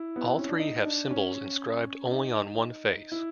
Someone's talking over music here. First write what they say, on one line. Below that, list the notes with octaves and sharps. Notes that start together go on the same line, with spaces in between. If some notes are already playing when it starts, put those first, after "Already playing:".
All three have symbols inscribed only on one face.
Already playing: E4
B3
C4
C#4
D4
D#4
D4
C#4
D#4
E4